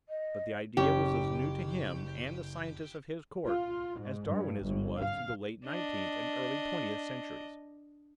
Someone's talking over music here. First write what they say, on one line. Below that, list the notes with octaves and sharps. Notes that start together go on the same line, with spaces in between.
But the idea was as new to him and the scientists of his court as Darwinism was to the late Nineteenth and early Twentieth Centuries.
D#5
F#1 C#4 G4 C#6
F4
G#2
G2
G1
F5
D4 D#5